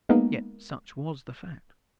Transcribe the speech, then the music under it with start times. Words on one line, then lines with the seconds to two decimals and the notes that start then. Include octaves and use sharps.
Yet such was the fact.
0.09 G#3 A#3 B3 D#4